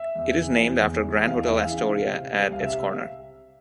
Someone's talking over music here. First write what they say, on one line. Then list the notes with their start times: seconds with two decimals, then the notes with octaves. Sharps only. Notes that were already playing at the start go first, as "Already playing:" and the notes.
It is named after Grand Hotel Astoria at its corner.
Already playing: E5
0.15 E2
0.38 E3
0.61 E2
0.82 E2
1.05 E3
1.26 E2 F5
1.44 E5
1.50 E3
1.61 F5
1.72 C#3
1.77 F5
1.94 C3
2.17 C3
2.39 C2
2.52 F5
2.61 C3 E5